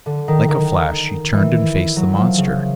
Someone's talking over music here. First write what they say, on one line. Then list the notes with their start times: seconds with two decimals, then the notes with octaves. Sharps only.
Like a flash she turned and faced the monster.
0.06 D3
0.28 D#3
0.49 D#3
1.33 E3
1.96 F#3
2.18 F3
2.38 C#3